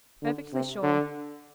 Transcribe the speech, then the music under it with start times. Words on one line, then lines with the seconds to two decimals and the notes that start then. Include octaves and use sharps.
"Perfectly sure."
0.22 D3
0.53 C3
0.83 D3